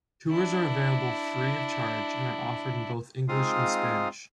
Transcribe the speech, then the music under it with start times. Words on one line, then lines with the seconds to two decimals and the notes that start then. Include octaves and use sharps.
Tours are available free of charge and are offered in both English and Spanish.
0.31 D4 E4
3.28 G#3 C4 D#4 F4 F5 D#6